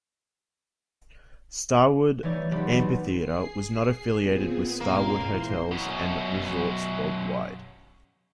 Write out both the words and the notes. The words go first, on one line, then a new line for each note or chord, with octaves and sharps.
Starwood Amphitheatre was not affiliated with Starwood Hotels and Resorts Worldwide.
E3 G3 A3 D#4 C#5 D5
B1 F#3 G3 G4 D5 B5
B1
G#4 C7
A#2 B3 C4 G#4
C#2 A#2 A#3 C6
E3 C5 C6
F#2 B2